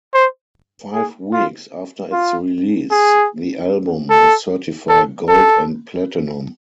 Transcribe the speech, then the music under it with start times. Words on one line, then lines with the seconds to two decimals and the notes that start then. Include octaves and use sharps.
Five weeks after its release, the album was certified gold and platinum.
0.14 C5
0.93 G#4
1.33 F4
2.12 F4
2.91 G#4
4.10 A4
4.89 A4
5.29 A4